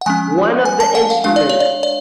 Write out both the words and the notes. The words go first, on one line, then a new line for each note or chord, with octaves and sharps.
One of the instruments?
F#5
F3 G#3 C#4 G#5
G#5
A5
F#5
F5
G#3 D4 F5
D5
C#5
D5
D5